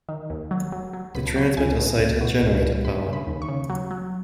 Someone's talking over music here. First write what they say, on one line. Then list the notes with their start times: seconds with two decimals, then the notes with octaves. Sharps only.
The transmitter site had generator power.
0.09 D#3
0.30 D#2
0.51 F#3
0.72 F#3
0.93 F#3
1.15 C#2 B5
1.27 A5
1.36 F#3 B5
1.57 C#2 G#5
1.79 B2
2.00 C#2
2.21 B2
2.42 C#2
2.63 C#2
2.84 D#2 B5
3.06 C#3
3.13 B5
3.27 D#2
3.42 C#6
3.48 C#3
3.70 F#3
3.91 F#3